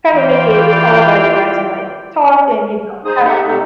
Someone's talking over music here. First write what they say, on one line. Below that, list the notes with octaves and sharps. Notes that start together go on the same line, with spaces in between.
kinda make it all about you guys, and, like, talk and, you know, have fun.
E3 F4 D5 F5 G5
D#4 G#4 C5 D#6
D#4 G4 A4 E5 F#5
C3 G3 A3 D#4 A4